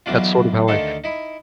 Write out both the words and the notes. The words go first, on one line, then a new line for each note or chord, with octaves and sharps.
That's sort of how I
B1 E2 E3 F#3 D4 F4
D2 D3 D#3 D#4 A4 F5
D#4 E4